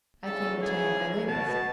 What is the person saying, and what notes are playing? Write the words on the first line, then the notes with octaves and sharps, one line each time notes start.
I came to tell you my latest.
E2 G#2 C#3 A4
G#4
B2 A5